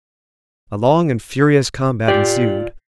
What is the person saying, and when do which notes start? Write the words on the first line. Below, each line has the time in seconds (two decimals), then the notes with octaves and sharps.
A long and furious combat ensued.
2.08 F4 G4 D5